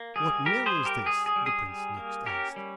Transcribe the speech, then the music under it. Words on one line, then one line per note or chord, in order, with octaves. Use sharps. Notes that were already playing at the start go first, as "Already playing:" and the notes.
"What mill is this?" the prince next asked.
Already playing: A#3
G3 G#4
G3 G4 A#4
G#4 C5
G3
G4 A#4
G3 G#4
G#4
G3
G#4
G3
A#3
C#4 G4 A#4
G3